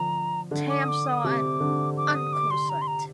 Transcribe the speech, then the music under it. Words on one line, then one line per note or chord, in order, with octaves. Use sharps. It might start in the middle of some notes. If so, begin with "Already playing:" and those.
Tam saw an unco sight!
Already playing: D3 F3 A#5
D3
D6
D#6
D6
D#6
C3 D6
D3
D6
D#6
D6
C6
A#5
C6
A#5